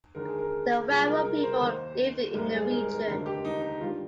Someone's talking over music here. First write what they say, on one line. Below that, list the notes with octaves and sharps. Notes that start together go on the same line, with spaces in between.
The Warao people live in the region.
D#2 D3 G#3 A#4
G#4
A#4
C2 A#2 G#3 G#4
A#4
A#4
A#4
C5
D#2 D#3 A#3 C5
G#1 G#2 G3 A#4
G#4
A#4
A#4
F1 D#2 D3 A#4
G4
D#4
D#4
G2 D#3 G3 F4